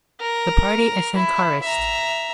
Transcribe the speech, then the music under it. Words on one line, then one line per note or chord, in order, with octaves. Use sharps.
The party is Sankarist.
A#4
E4
E5 A#5